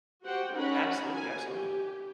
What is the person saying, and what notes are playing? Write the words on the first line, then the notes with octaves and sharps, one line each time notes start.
Absolutely, absolutely.
F#4 G4 C5 F#5 G5
C#4 D#4 A#4 F#5 B5
G#5
G4